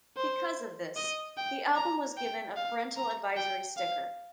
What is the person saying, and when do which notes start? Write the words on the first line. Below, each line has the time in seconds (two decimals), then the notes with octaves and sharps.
Because of this, the album was given a Parental Advisory sticker.
0.17 C5
0.96 D#5
1.37 G5
1.76 A#5
2.17 G5
2.56 F5
2.97 A#5
3.37 G5
3.77 F5